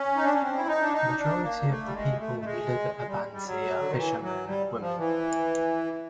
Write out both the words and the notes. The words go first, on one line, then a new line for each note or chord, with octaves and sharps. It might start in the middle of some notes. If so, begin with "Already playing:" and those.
Majority of the people who live at Abandze are fisher men and women.
Already playing: C#4
D#4
D4
C#4
C4
E4
D#4
D4
D#4
D4
A#3
A3
G3
G#3
A3
A3
G#3
G#3
G3
G3
F#3
D3
D#3
E3
F#3
G3
F3
E3